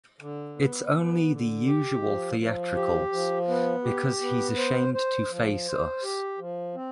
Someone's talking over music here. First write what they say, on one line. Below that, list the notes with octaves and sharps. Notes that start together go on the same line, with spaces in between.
It's only the usual theatricals, because he's ashamed to face us.
D3
B3
B3
D3
G4
F3
F3
G4
F3
B3
G4
B3
C5
C5
F3
C5
G4
F3
C4